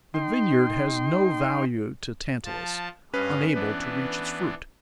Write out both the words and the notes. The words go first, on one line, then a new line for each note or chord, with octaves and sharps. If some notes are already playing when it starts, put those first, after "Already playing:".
The vineyard has no value to Tantalus, unable to reach its fruit.
D#4 G5 C6
F3 A5
G2 C#4 B4 D#5 F5
E3 B3 D4